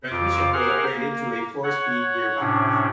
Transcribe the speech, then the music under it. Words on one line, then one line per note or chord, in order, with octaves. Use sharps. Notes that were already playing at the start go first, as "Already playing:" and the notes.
Transmission was upgraded to a four speed gear box.
F2 F4 D6
G4 G#4 A#4 C5 F#5 F6
A#3
C#5 F#5
A2 C3 C#4 D4